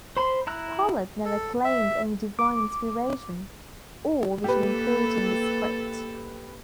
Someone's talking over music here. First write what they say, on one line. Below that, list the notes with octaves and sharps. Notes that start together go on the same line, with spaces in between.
Pollard never claimed any divine inspiration or vision in creating the script.
C5 B5 C6
E4 A#5 E6 F#6
A4
E5
D6
A#3 G4 A4 B4